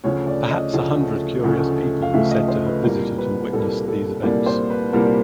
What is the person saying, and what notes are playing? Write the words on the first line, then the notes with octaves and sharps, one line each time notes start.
Perhaps a hundred curious people were said to have visited and witnessed these events.
D2 C#3 F3 A3 C#5
D5
D#5
D2 C#3 F3 A3
D2 C#3 F3 A3
F5
D2 C#3 F3 A3 E5
D#5
C5
B4
C2 A#2 G3 A#3 A#4
B4
C2 A#2 G3 A#3 A4
A4
C2 A#2 G3 A#3 D5
C5
B4
C2 A#2 G3 A#3 A#4